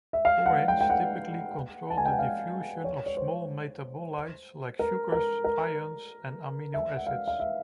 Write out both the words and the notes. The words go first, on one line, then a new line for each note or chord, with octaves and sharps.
Porins typically control the diffusion of small metabolites like sugars, ions, and amino acids.
E5
F5
F#5
G5
G5
F#5
A5
G#5
G5
F#5
F5
C#5
C#5
C5
A#4
A#4
A#4
E5
F#5
F5
F5
E5